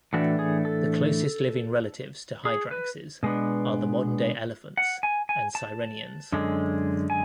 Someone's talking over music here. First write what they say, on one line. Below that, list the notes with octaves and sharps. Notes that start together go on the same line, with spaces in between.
The closest living relatives to hyraxes are the modern-day elephants and sirenians.
A2 E3 A3 D4 F#4
G#4
A4
G#4
B4
B2 G#3 B3 D4
F#5
G#5
G#5
A5
F#2 D3 G#3
G#5